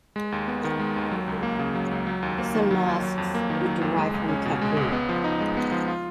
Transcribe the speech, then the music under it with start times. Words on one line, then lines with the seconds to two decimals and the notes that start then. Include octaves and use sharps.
Some masques would derive from tableau.
0.16 G#3
0.32 D#2
0.48 B3
0.64 D#3
0.79 G#3
0.96 D#2
1.12 F#3
1.28 C#2
1.43 A#3
1.59 C#3
1.75 F#3
1.91 C#2
2.07 F#3
2.23 D#2
2.38 A#3
2.55 D#3
2.71 F#3
2.86 D#2
3.02 F#3
3.18 F2
3.35 A#3
3.50 D#3
3.66 F#3
3.81 F2
3.97 G#3
4.14 C#2
4.29 C#4
4.45 B2
4.62 G#3
4.77 C#2
4.92 B3
5.09 F3
5.24 D#4
5.41 G#3
5.57 B3
5.72 F3
5.88 F4